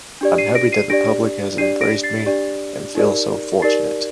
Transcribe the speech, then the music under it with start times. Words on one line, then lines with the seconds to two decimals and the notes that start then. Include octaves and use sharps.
I'm happy that the public has embraced me and feel so fortunate...
0.21 D4 G4 D5
0.38 C7 D#7
0.55 A#6 D7
0.72 C7 D#7
0.89 D4 G4 D5 A#6 D7
1.58 D4 G4 D5 C7 D#7
1.81 A#6 D7
2.03 A6 C7
2.26 D4 G4 D5
2.95 D#4 G4 A#4 D5
3.62 D#4 G4 A#4 D5 A6 C7